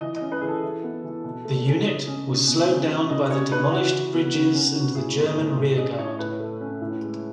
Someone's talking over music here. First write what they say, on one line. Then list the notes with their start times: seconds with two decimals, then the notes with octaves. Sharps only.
The unit was slowed down by the demolished bridges and the German rear guard.
0.01 E3 D#5
0.16 D#5
0.22 C#4
0.32 B4
0.41 E3 G#4
0.48 A4
0.63 E3
0.83 B3
1.04 E3
1.24 B2
1.45 A3
1.66 C#4
1.86 C#3 D#5
2.07 C#4
2.28 C#3
2.48 B2
2.69 C#4
2.89 B2
3.09 C#3 D#5
3.31 C#4 C#5
3.52 C#3 B4
3.71 E3 F#4
3.92 E3
4.13 B3
4.34 C#3
4.54 C#4
4.75 C#3
4.95 A2 G#4
5.16 B3
5.26 D#5
5.37 A2
5.57 A2
5.78 C#4 D#5
5.98 A2 C#5
6.19 A2 B4
6.39 A3
6.61 C#4
6.81 A2
7.01 G#3